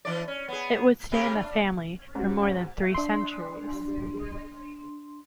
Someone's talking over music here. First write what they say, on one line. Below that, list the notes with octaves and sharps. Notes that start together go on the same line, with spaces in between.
It would stay in the family for more than three centuries.
E3 D4 D5
C#4
B3 G#4
C3 G4 G#4
D4
G#2 C#4 F#4
D4 C6